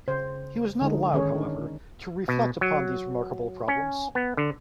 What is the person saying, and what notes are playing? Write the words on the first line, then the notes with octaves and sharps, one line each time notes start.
He was not allowed, however, to reflect upon these remarkable problems.
C#3 C5
D3 G#3 D#4
D#3 C#4 G#4 C#5
D4 D#4 A#4
B2
F#3
C#4
B3
D3